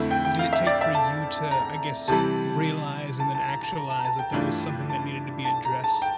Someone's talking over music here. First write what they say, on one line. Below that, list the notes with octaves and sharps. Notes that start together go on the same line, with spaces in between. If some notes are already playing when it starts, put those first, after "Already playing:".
did it take for you to, I guess, realize and then actualize that there was something that needed to be addressed?
Already playing: F2 D3 A3 E4
G5
G5
F5
E5
D5
E5
A5
A#5
C3 E3 G3 A5
A5
A5
A#5
A5
A#5
A5
A#5
A5
G5
G2 E3 A3 D4 F4
A5
A5
A#5
A5
G5